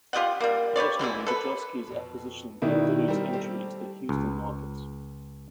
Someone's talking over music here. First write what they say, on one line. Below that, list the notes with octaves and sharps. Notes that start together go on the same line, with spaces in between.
Additionally the Joske's acquisition gave Dillard's entry into the Houston market.
F4 G4 D#5 F#5
G3 A#3
G4 B4 C#5 D5
E3 F#3 G#3 E4
A4 B4
F2 B2
B2 D#3 G3 C#4 E4
F#3 G3 C4 A#4
A3 C4 G4
C#2